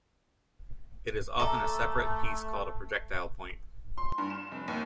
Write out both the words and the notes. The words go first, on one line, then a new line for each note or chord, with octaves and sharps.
It is often a separate piece called a projectile point.
A3 A4 E5 A#5 D6
C6
G2
E7
F1
D#2